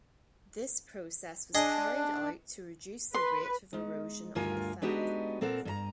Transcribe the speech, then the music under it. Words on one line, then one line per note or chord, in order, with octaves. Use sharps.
This process was carried out to reduce the rate of erosion on the fell.
D4 G#4 D#5
B4 C6
G#3 D#4
D2 G2 F4 A#4 G#5
G#3 B3 D4 D#4 F#4 G4
A#2 C4 A4 A#4 F#5
G2 A4 A#5